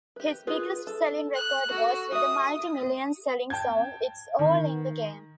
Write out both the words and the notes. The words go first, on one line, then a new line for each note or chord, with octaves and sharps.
His biggest-selling record was with the multi-million-selling song It's All in the Game.
G4 B4
F4 G#4 B4
A4
F#6
F#4 A4
F#4 E5 D#6
G5 A5 G6 G#6
D#3